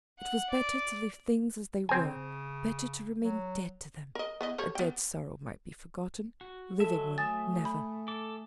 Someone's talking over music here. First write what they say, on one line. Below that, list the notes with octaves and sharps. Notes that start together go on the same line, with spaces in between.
It was better to leave things as they were--better to remain dead to them--a dead sorrow might be forgotten--living one never!
F#5
D5
C#3 C4 G#5
F#3
A#4 D#5
B3 E4 D#5
G4 A4 C#5
B3 G5
F#4
F#3 G#3 A4 E5 A5
A3 G#5 D#6 A6
B5
A4 D6